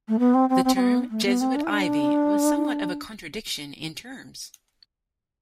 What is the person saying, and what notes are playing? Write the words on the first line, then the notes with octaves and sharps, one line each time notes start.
The term "Jesuit Ivy" was somewhat of a contradiction in terms.
A3
B3
C4
C4
C4
C4
B3
A3
B3
C4
D4
E4
D4